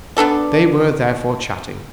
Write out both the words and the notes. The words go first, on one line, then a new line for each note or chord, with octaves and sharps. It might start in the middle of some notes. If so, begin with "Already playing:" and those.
They were therefore chatting.
B3 D4 A4 D5